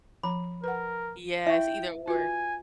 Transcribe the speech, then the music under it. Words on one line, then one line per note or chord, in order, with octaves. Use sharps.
yes, either, or.
F3 A#5 B5
A#4 B4 F#5
E4 E5 F5 G5 C#6
F4 F#4 B4 G#5